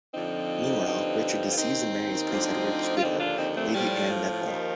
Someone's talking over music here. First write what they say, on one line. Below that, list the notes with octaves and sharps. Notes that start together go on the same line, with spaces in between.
Meanwhile, Richard deceives and marries Prince Edward's widow Lady Anne Neville.
F2 D3 F3 C4 D#4
G2 D3 F3
F4
D#2 D#3 C4 D#4
D2 D3 F3
F4
D#2 D3 F3 C4 D#4
D4 F4
C4 D#4
A3 C4
A2 F3 G3
F3
D#2 D#3